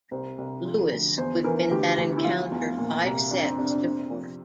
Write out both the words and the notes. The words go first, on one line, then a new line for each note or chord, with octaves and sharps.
Lewis would win that encounter five sets to four.
C2 C5
C2
F3
D2
E2 C5
E3 A#4
D2 G4
D2
E4
F3 F4
E2
A#2
C2
F2 D4
C4
C3 D4
D4
C3 C4
F3